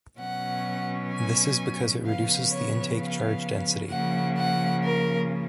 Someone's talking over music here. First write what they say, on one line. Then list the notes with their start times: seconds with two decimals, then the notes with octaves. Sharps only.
This is because it reduces the intake charge density.
0.19 B2 F#3 C#4 F#5
1.13 G#5
2.05 C#3 F3 B3 F5
2.51 C#5
2.98 F5
3.90 C#3 F3 A#3 F#5
4.37 F#5
4.83 A#4